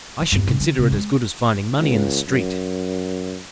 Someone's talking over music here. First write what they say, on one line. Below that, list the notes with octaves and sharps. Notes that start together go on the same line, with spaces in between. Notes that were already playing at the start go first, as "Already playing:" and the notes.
'I should consider it as good as finding money in the street.'
F3
E2 G2
C3
D3
C3
G#3
C#2
F#2